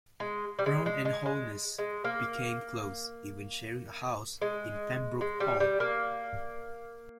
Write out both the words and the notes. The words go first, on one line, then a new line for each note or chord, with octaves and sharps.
Brown and Holness became close, even sharing a house in Pembroke Hall.
G#3
G3
G#3
G#3
G#3
G#3
G#3
A#3
G#3
G#3
G3
G3
A#3